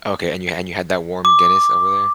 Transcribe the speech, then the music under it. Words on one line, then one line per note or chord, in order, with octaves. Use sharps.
Okay, and you and you had that warm Guinness over there?
D6